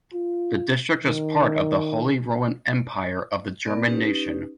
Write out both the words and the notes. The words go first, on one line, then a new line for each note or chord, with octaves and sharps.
The district was part of the Holy Roman Empire of the German nation.
F4
D#3
B3 A#4 D5
C#4 D#4 G4 B4